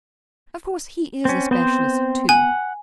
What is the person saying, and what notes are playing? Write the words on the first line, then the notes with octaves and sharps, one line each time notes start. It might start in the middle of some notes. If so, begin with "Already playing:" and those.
Of course he is a specialist too.
C4 C#4
B3 C4 C5
F#5 G#5